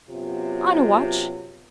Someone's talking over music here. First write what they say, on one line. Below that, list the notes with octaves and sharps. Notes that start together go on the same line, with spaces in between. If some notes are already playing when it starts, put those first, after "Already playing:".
"On a watch."
F#2 C3 F#3 B3 F4